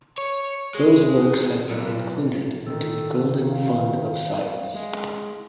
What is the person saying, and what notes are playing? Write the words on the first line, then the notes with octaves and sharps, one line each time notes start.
Those works have been included into the golden fund of science.
C#5
G#3
B1
D#3 A4 E6
E5 F5
G#3